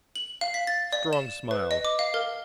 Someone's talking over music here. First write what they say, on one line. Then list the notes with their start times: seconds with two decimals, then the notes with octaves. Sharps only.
Strong smiled.
0.16 F#7
0.41 F5
0.54 B6
0.67 A6
0.93 D5
1.13 E7
1.51 B4
1.71 D#5
1.85 D6
1.99 F5
2.14 A#4